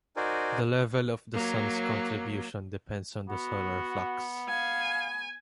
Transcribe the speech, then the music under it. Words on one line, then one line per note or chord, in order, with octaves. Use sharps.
The level of the sun's contribution depends on the solar flux.
D#4 F#4 A#4 C5 D5 G#5
F#3 A#3
B3 F#4
F5 G#5